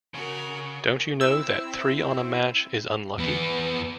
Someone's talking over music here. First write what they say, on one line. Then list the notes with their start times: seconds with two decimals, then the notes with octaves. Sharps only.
Don't you know that three on a match is unlucky?
0.14 C#3 F#4 A#4
1.21 C4 E4 E6
3.18 E2 B3